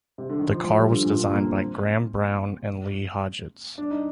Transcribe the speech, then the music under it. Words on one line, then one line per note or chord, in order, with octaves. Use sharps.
The car was designed by Graham Browne and Lee Hodgetts.
C3
D3
D#3
F3
F3
G3
D3
A#2
D3
A#3
C4
D4
D#4